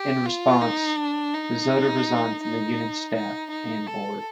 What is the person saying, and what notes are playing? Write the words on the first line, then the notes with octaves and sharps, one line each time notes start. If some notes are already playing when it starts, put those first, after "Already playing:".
In response, Pesotta resigned from the union's staff and board.
Already playing: G4
F4
D#4
D4
D#4
D#4
D#4
D#4
A4